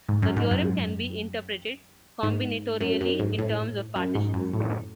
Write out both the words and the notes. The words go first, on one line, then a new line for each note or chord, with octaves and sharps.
The theorem can be interpreted combinatorially in terms of partitions.
G#2
F#2
G#2
F#2
G#2
F#2
F#2
G#2
A2
F#2
G#2
F#2
A2